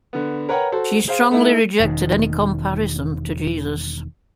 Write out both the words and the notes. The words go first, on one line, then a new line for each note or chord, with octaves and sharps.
She strongly rejected any comparison to Jesus.
D3 B3
A#4 B4 C#5 F#5 G5 A#5
F#4 A4 C5
G#4 C5 F5
A3 D#4 E4
E1 D#3